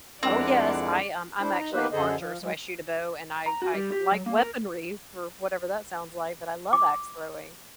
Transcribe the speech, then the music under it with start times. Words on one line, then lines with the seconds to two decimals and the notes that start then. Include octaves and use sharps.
Oh, yes. I, um I'm actually an archer, so I shoot a bow and I I like weaponry for whatever that sounds like, but I love axe throwing.
0.23 F2 G#3 C4 D4 E4 A#4 D5 F#5
1.40 D4 E4 C5
1.58 D#4 D#5 A#5
1.73 A#3 B3 D#4 G4 B4 C5
1.92 F#2 D3 G#4 A4 C5 D#5
2.17 F3
2.41 F#3 G#3
3.46 A#5
3.62 F#4
3.74 G3
3.92 G4
4.12 F#3
4.26 A#3
4.39 A#4
6.73 D6